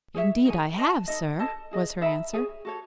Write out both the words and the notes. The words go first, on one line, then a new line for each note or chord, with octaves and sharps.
"Indeed I have, sir," was her answer.
G#4 C#5 E5
D#4 G#4 C#5 G#5
B4 D#5 A5
D#4 A4 D#5
A4 D#5 A5
E4 G#4 D#5
D#4 A4 E5 B5
G#4 C#5 G#5
F#4 A4 C#5